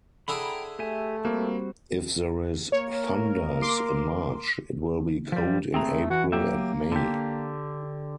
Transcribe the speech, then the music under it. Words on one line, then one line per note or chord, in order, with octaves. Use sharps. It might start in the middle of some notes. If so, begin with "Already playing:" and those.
If there is thunders in March, it will be cold in April and May.
D3 E4 G#4 G5 A#5 B5
A3 G4 E5 G#5
G3 A#3 C4 F#4
A#3 A#4 C#5
C6 D6
F3 G3
A3 C4 G#4 A#5
E3 F#4
F#3 A#3 G4 E5
D3 G4